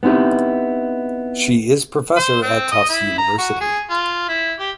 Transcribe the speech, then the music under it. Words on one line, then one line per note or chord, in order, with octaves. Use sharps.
She is professor at Tufts University.
B3 C4 D#4 E4 G4
C5
C4
D#5
E4
A#5
F#4
G#4
F4
E4
G4